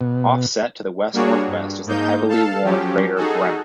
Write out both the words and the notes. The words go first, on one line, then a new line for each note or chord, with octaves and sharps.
Offset to the west-northwest is the heavily worn crater Brenner.
B2
G3 A#3 D4 F#4 G#4 C#5
G2
G#2 A#3 D#4 G6
A4 F5 A5
F3 F#3 C#4 G4
D#4 F#4 G#4 A4